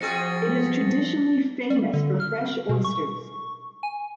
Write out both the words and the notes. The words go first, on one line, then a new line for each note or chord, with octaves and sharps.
It is traditionally famous for fresh oysters.
B2 F3 C4 G#4 A6 A#6 C#7
G3
D3
F6
B2
C#6
G#5